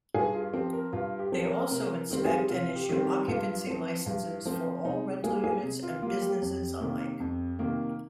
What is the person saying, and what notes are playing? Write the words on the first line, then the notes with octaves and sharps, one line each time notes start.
They also inspect and issue occupancy licenses for all rental units and businesses alike.
G2 G#4
F4
F3 C4 G4
A#4
G2 F4
G4
F3 C4
A#4
C3 A#4
D#3 G3 C4
G#4
G4
C3 F4
G4
D#3 G3 C4
G4
G2 F4
F3 C4
G2
F3 C4
C3 D#4
G3 A#3 G#4
G#4
C3
F4
G3 A#3 F4
G4
F2
C3 D#3 A#3
F2
C3 D#3 A#3